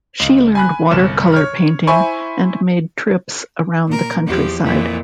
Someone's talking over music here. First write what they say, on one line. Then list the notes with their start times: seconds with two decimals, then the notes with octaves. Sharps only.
She learned water colour painting and made trips around the countryside.
0.20 C#2
0.55 G#5 B5 F#6
0.91 G1 C2 E7
1.32 C#5 F6
1.87 E4 C5 E5 G#5 B5 C#6
3.87 A#2 A#4
4.27 E2 F3 G4
4.62 F2 A#2 E3